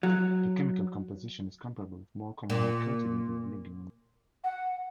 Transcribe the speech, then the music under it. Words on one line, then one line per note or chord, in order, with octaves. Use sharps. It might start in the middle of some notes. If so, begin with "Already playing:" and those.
The chemical composition is comparable with more commonly cultivated legumes.
F#3
A#2
F#5